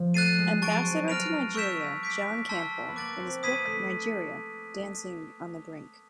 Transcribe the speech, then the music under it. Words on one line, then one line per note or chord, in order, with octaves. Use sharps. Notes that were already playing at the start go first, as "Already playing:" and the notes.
Ambassador to Nigeria John Campbell in his book, Nigeria: Dancing on the Brink.
Already playing: F3
A3 F#6 A6 C7 D#7
G#3
F#3 A5 C#6 F#6 A6 D7
C4
B3 F6 A#6 D7 F7
C#6 E6 G6 B6 E7
D6 G6 B6 D7
A5 C6 E6 G6 B6
B3
A#3 D6 F#6 A6 D7 F#7
C4
B3 D#6 G#6 B6 D#7
A3